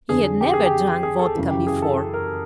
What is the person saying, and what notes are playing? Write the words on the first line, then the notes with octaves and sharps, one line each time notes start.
He had never drunk vodka before.
F2 D3 G#4
G4
G#4
G4
G#4
A4
F#2 C#3 E3
G4
G#4
A4
A#4